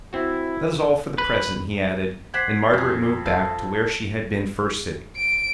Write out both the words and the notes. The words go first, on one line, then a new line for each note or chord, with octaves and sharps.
"That is all for the present," he added, and Margaret moved back to where she had been first sitting.
C4 E4 F#4
B4
G4 C5 F#5 G#6 B6 C7
F2 G3 G#4
A4 C5 F5
D7